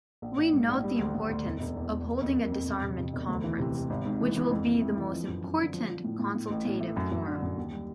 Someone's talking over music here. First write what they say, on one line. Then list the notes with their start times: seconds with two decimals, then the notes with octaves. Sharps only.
We note the importance of holding a disarmament conference, which will be the most important consultative forum.
0.22 A#1
0.38 A#1
0.53 G#2
0.69 A#1
0.84 G3
0.99 D2
1.14 D2
1.30 D2
1.45 E1
1.60 E1
1.76 E2
1.91 E1
2.06 A#3
2.21 F2
2.37 A#3
2.52 F2
2.67 E1
2.83 C3
2.98 C3
3.13 E1
3.29 D2
3.44 E3
3.59 C3
3.75 C3
3.90 G#1
4.05 G#2
4.21 E3
4.36 E3
4.51 F2
4.66 E3
4.82 A3
4.97 E3
5.12 F3
5.28 F#2
5.43 F#2
5.58 D3
5.74 F3
5.89 F3
6.04 A2
6.19 A2
6.35 A2
6.50 A1
6.65 A2
6.80 A3
6.97 F#2
7.12 F#2
7.26 D3
7.42 F#2
7.57 D#2
7.72 G3